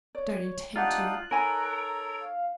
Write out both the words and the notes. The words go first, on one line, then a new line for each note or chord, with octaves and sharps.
'Don't intend to.
C#5 D5
D4 D#4 F4 G4 E5 F#5 F#6
D#4 A4 A#4 C#5 G#5 B5
F5